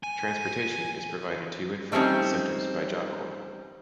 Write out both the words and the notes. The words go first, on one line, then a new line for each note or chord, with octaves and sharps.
Transportation is provided to and from the centers by Job Corps.
G#5
G3 A3 C4 C#4 D#4